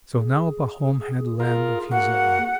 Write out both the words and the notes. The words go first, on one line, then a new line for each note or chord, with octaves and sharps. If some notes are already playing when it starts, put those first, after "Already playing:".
So now Pahom had land of his own.
G#4
F4 A#4
A#3 F#4 F#5